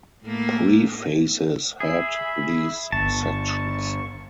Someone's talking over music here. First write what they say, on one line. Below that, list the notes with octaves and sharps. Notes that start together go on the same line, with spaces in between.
Prefaces head these sections.
A2 A3 A#3
G#4 E5 B5
G1 A5 C#6